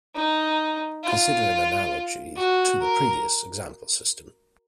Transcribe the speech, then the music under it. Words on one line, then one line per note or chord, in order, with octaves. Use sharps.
Consider an analogy to the previous example system.
D#4
F4
F#4
A#4